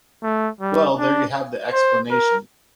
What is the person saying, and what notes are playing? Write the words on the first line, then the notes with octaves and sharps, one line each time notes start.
Well, there you have the explanation.
A3
G3
D4
C5
A#4